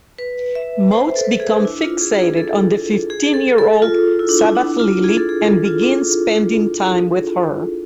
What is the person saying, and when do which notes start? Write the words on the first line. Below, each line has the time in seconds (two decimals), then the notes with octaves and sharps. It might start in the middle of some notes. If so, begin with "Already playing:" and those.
Motes becomes fixated on the fifteen-year-old Sabbath Lily and begins spending time with her.
0.19 B4
0.55 E5
0.91 C5
1.16 A4
1.24 B4
1.32 A4
1.40 G#4
1.59 D4
1.65 E4
1.83 F4
2.01 G#4
2.19 G#4
2.37 A4
3.10 G#4
3.34 A4
3.58 A4
3.82 F4
4.19 E4
4.29 D4
4.39 E4
4.50 E4
4.55 D4
4.79 F4
5.04 G#4
5.17 A4
5.29 G#4
5.47 A4
5.65 F4
5.83 D4